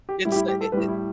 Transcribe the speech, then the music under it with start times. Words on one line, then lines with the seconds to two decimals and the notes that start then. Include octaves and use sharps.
it's, uh, it it
0.09 G4
0.25 A2 G3 E4
0.32 G4
0.36 E4
0.48 G4
0.61 A4
0.72 A2 G3 B4
0.88 E4